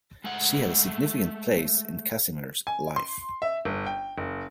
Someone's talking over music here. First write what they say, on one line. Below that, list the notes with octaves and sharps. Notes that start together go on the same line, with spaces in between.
She had a significant place in Casimir's life.
G#3 A3 F#5
G#5
C6
E5
G1
G5
F#1